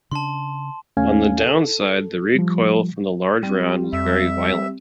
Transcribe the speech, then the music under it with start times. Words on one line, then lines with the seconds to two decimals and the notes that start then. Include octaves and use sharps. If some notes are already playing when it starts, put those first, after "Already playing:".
On the downside the recoil from the large round was very violent.
0.11 C#3 D4 A5 C6
0.97 D#2 A3 C#4 F5 G#5
1.41 A4
2.35 F3 G3
3.43 G3 C4
3.93 F2 E5